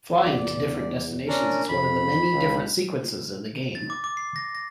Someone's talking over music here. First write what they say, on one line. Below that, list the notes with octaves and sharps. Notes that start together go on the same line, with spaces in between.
Flying to different destinations is one of the many different sequences in the game.
E2 D5
C#4 D4 A#4
F2 B5
C#2
A6
D6
D6
C7
A#6
A#6